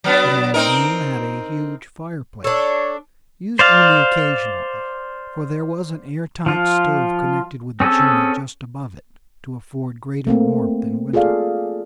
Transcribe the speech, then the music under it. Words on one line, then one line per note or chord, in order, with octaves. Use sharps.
The main room had a huge fireplace, used only occasionally, for there was an air-tight stove connected with the chimney just above it, to afford greater warmth in winter.
F#3 B3 D4
C4 D#4 A#4
D4 A4 C#5
C5 D5 F5
F3 F4
C4 C#4 G#4 A4
A3 A#3 C4
F4 G#4 A4 D5 F5